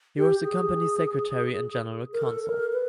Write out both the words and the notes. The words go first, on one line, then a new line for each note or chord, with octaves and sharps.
He was the company Secretary and General Counsel.
G4
G#4
A#4
A4
A#4
B4